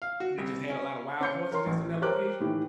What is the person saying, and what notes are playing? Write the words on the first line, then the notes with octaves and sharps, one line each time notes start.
What they just had a lot of wild horses, just in that location?
F5
F#4
C2
C#4
C#4 G6 C#7
A#4 C#5 C6
A1
G4 A#4 C5 C#5 D6 F#6
A2 D#3 E3 G4